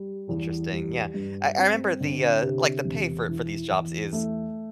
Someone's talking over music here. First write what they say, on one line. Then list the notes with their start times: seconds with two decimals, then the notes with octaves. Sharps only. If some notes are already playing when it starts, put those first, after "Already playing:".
Interesting. Yeah. I I remember the, uh, like, the pay for for these jobs is
Already playing: G3
0.29 E2
0.72 G3
1.14 G2
1.58 C4
2.01 D3
2.42 C3
2.85 E1
3.29 E3
3.71 E2
4.13 A3